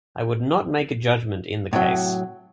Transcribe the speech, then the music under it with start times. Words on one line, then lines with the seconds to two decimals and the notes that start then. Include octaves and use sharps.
I would not make a judgment in the case.
1.73 A2 C3 E3 F#3